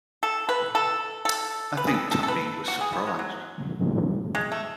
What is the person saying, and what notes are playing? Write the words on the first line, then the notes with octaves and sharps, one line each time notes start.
I think Tuppy was surprised.
A4
B4
A4
A4
B4
G#4
A4
A4
A4
B4
F#4
G#4
E4
G#3
F#3
G#3
A3